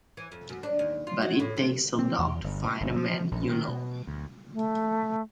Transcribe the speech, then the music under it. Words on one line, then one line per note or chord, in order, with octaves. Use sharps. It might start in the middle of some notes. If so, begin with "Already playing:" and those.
But it takes a dog to find a man, you know.
E3
F2
F#2
D4
D#2
F4
F#3
A2
C3
C4
E2
G1
B2
G1
F3
A#1
D#3
B2
D2
A3